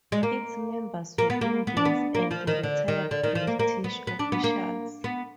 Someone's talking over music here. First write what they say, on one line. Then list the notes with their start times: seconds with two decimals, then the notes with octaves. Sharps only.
Its members were Indians and retired British officials.
0.12 G#3
0.23 A#3
1.18 A#3
1.30 B3
1.41 A#3
1.67 B3
1.77 D4
1.85 B3
2.15 A#3
2.31 F3
2.47 D#3
2.63 D3
2.88 D#3
3.11 D3
3.23 D#3
3.35 F3
3.47 A#3
3.59 A#3
3.84 B3
4.07 B3
4.19 D4
4.32 B3
4.44 A#3
5.04 B3